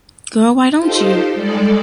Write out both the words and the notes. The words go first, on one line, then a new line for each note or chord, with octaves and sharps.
Girl Why Don't You?
D#4 F4 G4 A4 C5
G3 G#3 A4 D5